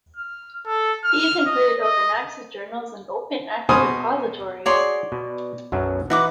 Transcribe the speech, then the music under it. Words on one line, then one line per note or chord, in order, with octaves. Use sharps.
These include open access journals and open access repositories.
F6
A4
F6
D#5
D#5
B2 C5 G#5 D#6 F6
F#4 G#4 C#5 D5 C6
B2
B1 F#2 F#3
E3 D#4 E4 F#4 B4 D6